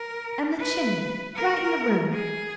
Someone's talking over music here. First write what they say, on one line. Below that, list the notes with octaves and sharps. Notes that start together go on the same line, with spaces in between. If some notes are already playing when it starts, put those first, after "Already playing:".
And the chimney right in the room!
Already playing: A#4
B4
A#4
G#4